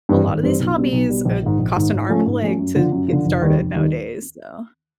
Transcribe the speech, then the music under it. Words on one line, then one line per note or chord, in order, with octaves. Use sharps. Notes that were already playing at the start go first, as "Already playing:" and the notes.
a lotta these hobbies, uh, cost an arm and leg to get started nowadays so
G2 E3 G3 C4
G#1
G2 E3 G3 C4
B1
B2 G3
B1
B2 G3
A#1
G#2 D#3
A#1
G#2 D#3
G#2
F3 A3 C#4
G#2
F3 A3 C#4
F#2
D3 F3
F#2
D3 F3
F1
D#2 D#3 G3
F1
D#2 D#3 G3